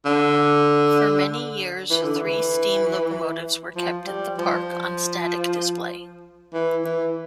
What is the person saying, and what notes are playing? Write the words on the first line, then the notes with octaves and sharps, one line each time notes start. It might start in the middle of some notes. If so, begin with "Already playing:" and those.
For many years, three steam locomotives were kept at the park, on static display.
D3
E3
D3
E3
F3
G3
F3
E3
E3